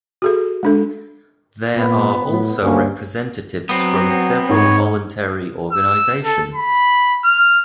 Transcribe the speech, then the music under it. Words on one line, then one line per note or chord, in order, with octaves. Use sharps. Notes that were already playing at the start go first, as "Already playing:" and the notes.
There are also representatives from several voluntary organisations.
F#4 G#4 A4
G#3 D4 A4
A#2 B3
A2
D2 G2 A#3 C#4
F#3 B3 C4
G#2 C#5
E6
A4
B5
F6